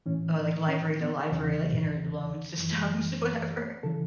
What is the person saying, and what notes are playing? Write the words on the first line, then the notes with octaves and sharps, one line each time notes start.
like, library-to-library, like, interloan systems, whatever.
A2 E3 C#4
C#4
B3
E2 C#3 E3 C#4
F#2 E3
C#3 E3 A4